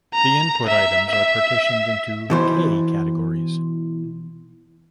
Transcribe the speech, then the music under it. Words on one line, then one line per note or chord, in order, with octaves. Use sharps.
The input items are partitioned into "k" categories.
A#5
E5
E5
B2 E3 C5